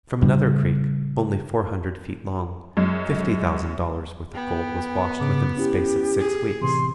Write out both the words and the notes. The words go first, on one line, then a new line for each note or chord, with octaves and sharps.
From another creek, only four hundred feet long, fifty thousand dollars' worth of gold was washed within a space of six weeks.
A2 C#3 G3 D4
F#2 G#3
B3 G5
G#2 C#3 D6
C#4 E4 G4
G#4
A2 C3 E3 C6